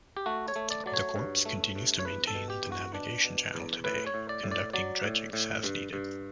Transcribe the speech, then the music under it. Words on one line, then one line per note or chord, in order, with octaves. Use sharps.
The Corps continues to maintain the navigation channel today, conducting dredgings as needed.
G4
A3 F#4
C#5
A3
D5
F#3 D5
C#5
G2
A3
G2
C#5
E2 B4
A4
B2
G4
E2
F#4
B2 D4
B2
E2
A2 B4
C#5
A2
D5
A2
D5
F#3 D5
A2
A2
G2
G2